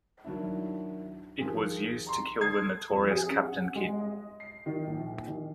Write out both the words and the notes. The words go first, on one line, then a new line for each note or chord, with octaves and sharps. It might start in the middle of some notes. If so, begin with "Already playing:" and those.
It was used to kill the notorious Captain Kidd.
D#3 F#3 D4 E4
D#3 F3 G4 G#4
A#5 C6
A4 D#6 G#6 C7
F2
G#4
C#4
F#5
G#3
D#5
C7
D#3
A#1
D#3